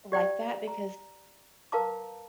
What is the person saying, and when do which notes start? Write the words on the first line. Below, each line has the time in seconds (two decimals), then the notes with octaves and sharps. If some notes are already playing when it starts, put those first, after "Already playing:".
like that? Because
0.12 G4 D5 G5
0.68 A#5
1.72 A#4 B4 F5 A5 A#5 D6